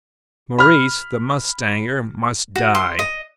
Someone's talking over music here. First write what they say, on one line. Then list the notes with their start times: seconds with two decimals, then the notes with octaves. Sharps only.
Maurice, the mustanger, must die!
0.58 B5 F6
2.56 F#4
2.75 C6
2.99 D#5